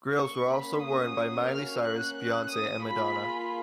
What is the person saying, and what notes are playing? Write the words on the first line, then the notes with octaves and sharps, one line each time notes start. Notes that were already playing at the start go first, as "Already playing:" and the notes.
Grills were also worn by Miley Cyrus, Beyonce, and Madonna.
A#3 C#4 F#4 C#6
B5
D#6
F6
F#6
F#6
D#6
A#3 F4 G#4 B5